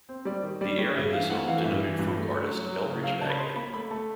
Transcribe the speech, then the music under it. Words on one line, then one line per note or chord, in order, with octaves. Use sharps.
The area is home to noted folk artist Eldridge Bagley.
C4
G3 D5
D#3
G3 D5
G3 C#5
G2 E5
E3 F5
A3 F#5
E3 F5
G2 E5
E3
G2
A3
C#4
F#3
F#3
C#3
F#3 F5
C#3 A5
B5
C#4 C6
A#3 B5
A3 B5
A3 A5